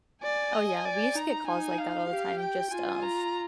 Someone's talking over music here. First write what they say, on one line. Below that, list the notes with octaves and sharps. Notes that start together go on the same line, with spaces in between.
Oh yeah, we used to get calls like that all the time just of
D5 G#5
D#5
D5
D#4 A#5
D#4 G#5
F5
G4
G5
F4 G#5
A#5